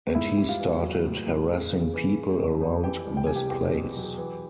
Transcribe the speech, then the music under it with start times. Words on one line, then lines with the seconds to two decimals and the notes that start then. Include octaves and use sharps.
And he started harassing people around this place.
0.15 G#2 E4 E5
0.37 G3
0.49 F4 F5
0.60 E3
0.83 F#3
1.05 A2
1.27 A2
1.50 C#3
1.72 C#3
1.94 E3
2.16 C#3
2.38 F2
2.61 F2
2.84 E3 G4 G5
3.06 C2
3.17 G5
3.27 C3 G#5
3.35 G4 G5
3.50 E2 G4 G5
3.73 B2
3.96 F#3
4.18 E3